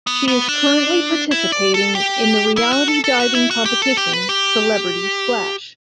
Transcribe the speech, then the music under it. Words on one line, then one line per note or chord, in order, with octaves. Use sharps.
She is currently participating in the reality diving competition Celebrity Splash!
B3
B3
D4
E4
D5
A4
G4
E4
F#4
A4
A4
F#4
E4
F#4
G4
A4
G4
B4
G4